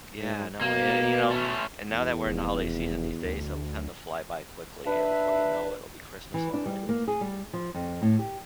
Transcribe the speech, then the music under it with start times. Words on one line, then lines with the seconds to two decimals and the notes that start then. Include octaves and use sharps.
Yeah, no, and and you know and now that we're in the holiday season, these days all tend to fly by quickly. Here before you know it'll be Christmas already.
0.19 G#2
0.61 B2 A#3
1.30 A3 C#4
1.90 E2
2.26 F1
3.24 D2
4.86 D4 B4 E5
6.34 E3
6.53 D4
6.66 G3
6.89 A#3
7.08 G#4
7.21 G3
7.53 F3
7.74 F2
8.02 A2
8.19 G4